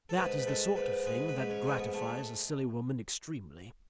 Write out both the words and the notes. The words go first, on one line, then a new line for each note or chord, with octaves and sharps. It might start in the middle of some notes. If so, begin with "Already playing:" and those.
That is the sort of thing that gratifies a silly woman extremely.
A4
G#2 B4
B4
G#3 A4
G#2 B4
G#3 B4
B4
G#2
C#4
G#3 A3
B3
A3